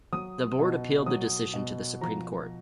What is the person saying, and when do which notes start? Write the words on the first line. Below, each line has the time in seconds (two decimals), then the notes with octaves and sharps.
The Board appealed the decision to the Supreme Court.
0.13 F#3 D#6
0.59 B2
1.06 F#3 D#6
1.53 B2
2.01 F3 A#5